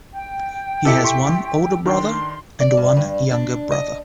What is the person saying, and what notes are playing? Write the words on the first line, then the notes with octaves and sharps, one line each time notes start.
He has one older brother and one younger brother.
G5
C3 E4 G4 A4 D#5 C#7
C6 C#6 B6
D#3 D4 G5 C6
D5
G2
G2
D4
D#5